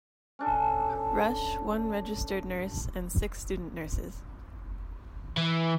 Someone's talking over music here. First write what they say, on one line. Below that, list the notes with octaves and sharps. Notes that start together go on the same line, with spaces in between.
Rush, one registered nurse and six student nurses.
C#4 D4 A4
E3